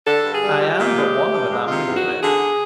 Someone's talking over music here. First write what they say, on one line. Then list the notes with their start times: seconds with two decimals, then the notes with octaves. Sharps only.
I am but one of a number, you know.
0.06 D3 A4
0.24 G2
0.33 G#4
0.42 G3
0.60 F3 G4
0.78 A#2
0.96 G#3
1.14 E3
1.32 G2
1.50 G#3
1.68 C3 F4
1.86 E2
1.95 F#4
2.04 D#3
2.22 D3 G#4